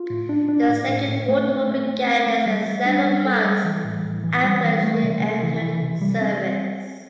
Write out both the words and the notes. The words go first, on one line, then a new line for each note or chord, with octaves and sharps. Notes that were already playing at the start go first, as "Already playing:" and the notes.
The Second World War began less than seven months after she entered service.
Already playing: F4
A2
D4
D4
A2
A2
A2
A3
C4
A3
C4
C4
A3
G3
G3
D4
G3
A4
G3
E3
A2
A2
E3
G3
E3
A3
C3
C3
E3
E3
C3
G3
C4